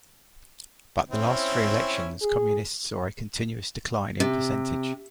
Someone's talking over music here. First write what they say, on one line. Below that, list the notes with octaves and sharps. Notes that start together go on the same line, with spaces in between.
But the last three elections communists saw a continuous decline in percentage.
C4 C#4 E4
G#4
C3